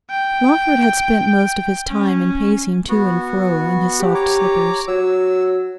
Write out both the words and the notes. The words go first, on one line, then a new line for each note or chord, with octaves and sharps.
Lawford had spent most of his time in pacing to and fro in his soft slippers.
G5
C#4
B3 F#4
G4
C#5 A#5 D6
F#3 E6